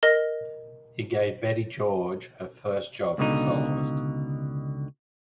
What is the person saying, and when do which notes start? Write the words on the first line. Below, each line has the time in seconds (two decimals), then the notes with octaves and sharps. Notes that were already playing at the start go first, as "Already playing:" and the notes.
He gave Betty George her first job as a soloist.
0.03 A#4 D#5 A#6
3.18 C#2 B2 D3 D#4